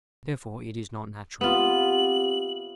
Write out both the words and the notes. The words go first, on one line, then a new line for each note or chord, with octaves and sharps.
Therefore it is not natural.
C3 B3 F4 F#7